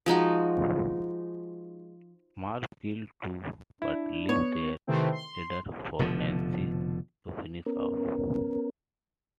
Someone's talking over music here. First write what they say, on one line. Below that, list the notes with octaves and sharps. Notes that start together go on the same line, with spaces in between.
Marv kills two but leaves their leader for Nancy to finish off.
F3 G#3 D#4 F#4
D4 E4
B3 C#5
C3 D#3 E3 A3 C4
C6
F1 B2 D3 F3
B3 C#4 A#4